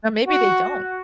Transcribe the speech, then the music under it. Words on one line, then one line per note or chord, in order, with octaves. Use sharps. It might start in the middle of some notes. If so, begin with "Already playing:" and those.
Or maybe they don't.
F#4